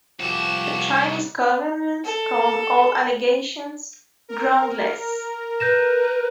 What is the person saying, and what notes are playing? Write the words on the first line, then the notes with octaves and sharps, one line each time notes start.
The Chinese government called all allegations "groundless".
C2 F3 F#4 G4 E7
A4
A#4
B4 G6 A#6 E7